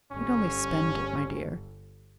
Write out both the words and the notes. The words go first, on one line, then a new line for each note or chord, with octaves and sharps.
"He'd only spend it, my dear."
G1 C#4